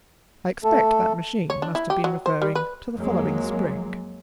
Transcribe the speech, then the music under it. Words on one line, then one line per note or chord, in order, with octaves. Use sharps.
I expect that machine must have been referring to the following spring.
A3 A4
C#5
D4
E4
G4
F#3
C5
G3
B4
F2 F#3 G#3 A#3